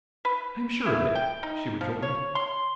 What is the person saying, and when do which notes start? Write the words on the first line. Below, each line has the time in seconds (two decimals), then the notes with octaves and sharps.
"I am sure of it," she rejoined.
0.25 B4
0.86 E4
1.15 G5
1.43 D#4
1.81 F3
2.02 C#5
2.35 C6